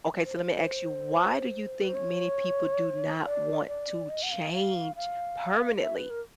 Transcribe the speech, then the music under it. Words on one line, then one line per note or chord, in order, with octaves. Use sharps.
okay, so let me ask you, why do you think many people do not want to change permanently?
C5
B4
C5
C#5
D5
D5
D#5
F#5
F5
F5
F5
E5
B4
A#4